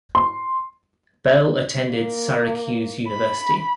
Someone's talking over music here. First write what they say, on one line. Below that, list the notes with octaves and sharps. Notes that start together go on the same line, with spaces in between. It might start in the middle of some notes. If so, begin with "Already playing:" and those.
Bell attended Syracuse University.
C6
A#3
B5